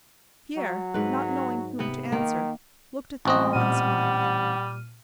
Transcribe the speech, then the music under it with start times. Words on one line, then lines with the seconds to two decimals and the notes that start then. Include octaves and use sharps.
Pierre, not knowing whom to answer, looked at them all and smiled.
0.57 F#3
0.94 G#2 B4
1.79 C3 B3
2.12 D#3 A#3
3.25 A1 C4 F#4 D#5
3.53 A#2 G3 F#5 F6 D#7